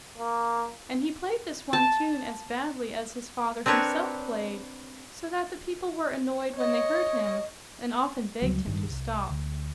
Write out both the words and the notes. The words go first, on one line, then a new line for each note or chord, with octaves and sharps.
And he played this one tune as badly as his father himself played, so that the people were annoyed when they heard him, and often begged him to stop.
A#3
A5
C4 D4 A#4 B4 C#5
C#5 D#5
D2 C#3 F#3 G3
A1 G2 D#3
C2
D2